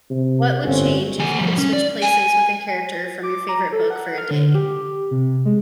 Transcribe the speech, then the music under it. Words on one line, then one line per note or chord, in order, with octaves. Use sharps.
what would change if you could switch places with a character from your favorite book for a day?
C3
G1 C4 C#4
D#2 G#5
F3 G3
C#4
D5
G#5
D6
A#5
A4
F#5
F6
D3
G4
C3
G#3